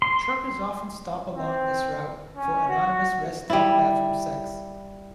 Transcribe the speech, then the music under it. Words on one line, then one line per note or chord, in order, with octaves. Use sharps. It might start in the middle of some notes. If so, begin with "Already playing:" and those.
Truckers often stop along this route for anonymous rest-stop bathroom sex.
C6
C4
C#4
F#4
G3 E4